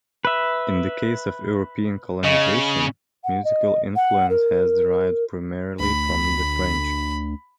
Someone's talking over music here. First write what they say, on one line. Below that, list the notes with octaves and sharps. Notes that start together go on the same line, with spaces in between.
In the case of European colonization, musical influence has derived primarily from the French.
B4 E5
C#3 D#5
F#5
D#5
F#5
A#4
D2 B5